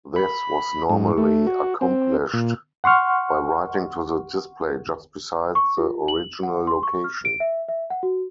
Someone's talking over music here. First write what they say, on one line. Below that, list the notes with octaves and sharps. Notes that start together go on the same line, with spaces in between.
This was normally accomplished by writing to the display just beside the original location.
B5
G#2
A3
F#4
C4
A#2
F#5 C6 C#6 F6
C#6
F4
F#7
F#5
C6
C#6
F6
D7
E5
E5
F#5
F#4